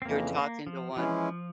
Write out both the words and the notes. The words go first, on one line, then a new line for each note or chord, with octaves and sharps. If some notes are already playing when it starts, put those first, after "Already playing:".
You're talking to one.
C4
F2 C#3 E3 A#3
A#3
F3
E3 F3 G#3 C#4 E4